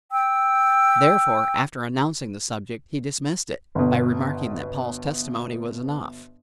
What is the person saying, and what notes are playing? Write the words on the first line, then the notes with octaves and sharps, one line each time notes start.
Therefore, after announcing the subject, he dismissed it, by remarking that Paul's testimony was enough.
G5 E6
G1 B2